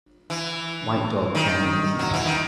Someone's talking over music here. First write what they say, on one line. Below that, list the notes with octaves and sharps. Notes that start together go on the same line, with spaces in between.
White dog playing in the snow.
E3
D#3
F#3
E3
D#3